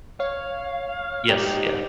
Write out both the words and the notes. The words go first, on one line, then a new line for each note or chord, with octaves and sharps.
Yes, yeah.
C#5 F5
G#2 D#4 G4